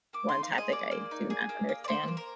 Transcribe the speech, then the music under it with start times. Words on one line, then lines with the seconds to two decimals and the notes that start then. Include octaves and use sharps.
one topic I do not understand.
0.13 A#3 D6
0.29 D#4 C6
0.43 F5
0.53 G#4 D#5
0.72 A#3 D5
0.91 A#3
1.11 D#4
1.30 G#4
1.49 A#3
1.69 A#3
1.84 D5
1.88 A#3 C5
2.08 A#3
2.17 A#4